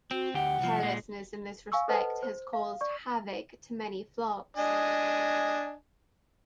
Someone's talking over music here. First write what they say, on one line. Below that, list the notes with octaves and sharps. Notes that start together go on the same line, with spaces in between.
Carelessness in this respect has caused havoc to many flocks.
C4 F#4
D2 G4 F#5
C2 F3
A#2 G#3
F5 G#5 C#6 E6
A4 B4 C5 D#5 F#5 A5
C5
F5
D5 C#6
D4 D#5 G#5